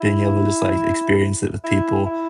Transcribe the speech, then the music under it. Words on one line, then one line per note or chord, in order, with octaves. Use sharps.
being able to just like experience it with people,
E4
E4
E4